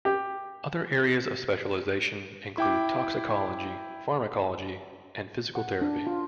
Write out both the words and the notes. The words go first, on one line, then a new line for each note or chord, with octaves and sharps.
Other areas of specialization include toxicology, pharmacology, and physical therapy.
G4
E4 G5 D6
F#5
D4
F4